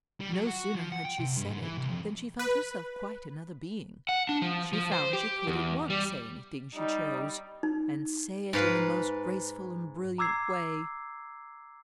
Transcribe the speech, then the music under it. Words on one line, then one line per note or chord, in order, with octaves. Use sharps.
No sooner had she said it than she felt herself quite another being. She found she could at once say anything she chose, and say it in the most graceful and brilliant way.
G3
F#3
F#4
F3
F#5
G5
C3
G2
G#2
E3
C2
F2
B4
F#5
D4
F3
F3
C5
G4
E2
G3
G3 D#4
D#4
G#2 B4 F5
A#5 D6 E6 G#6 C7